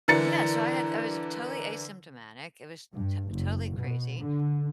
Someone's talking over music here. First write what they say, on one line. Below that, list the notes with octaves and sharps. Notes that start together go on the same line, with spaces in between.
Yeah. so I had I was totally asymptomatic, it was t totally crazy.
D3 E3 D4 A#4 A6 C#7
G2
F#1
B2
D3